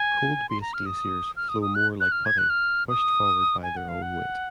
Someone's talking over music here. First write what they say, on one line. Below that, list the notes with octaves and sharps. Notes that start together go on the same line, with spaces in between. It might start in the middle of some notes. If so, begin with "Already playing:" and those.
Cold-based glaciers flow more like putty, pushed forward by their own weight.
Already playing: G#5
C6
A#5
F6
D#6
F6
D#6
D#6
F#6
F#6
F6
G#6
F#6
F6
D#6
G#5
F#5
F5
F#5